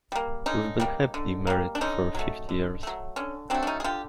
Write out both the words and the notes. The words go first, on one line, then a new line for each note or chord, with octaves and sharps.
We've been happily married for fifty years.
G3 A#3
D3 C#4 D#4
G3 A#3
D3
G3 A#3
D4
D3 C#4 D#4
F#3 A3
D3
F#3 A3
D3 C#4
F#3 A3 C4 D4
D4
C#4 D#4
G#4
D3 F4 G4